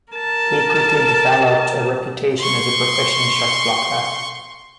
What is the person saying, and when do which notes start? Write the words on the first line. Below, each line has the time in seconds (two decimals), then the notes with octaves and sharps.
He quickly developed a reputation as a proficient shotblocker.
0.13 A#4 A5
2.38 C6 C#6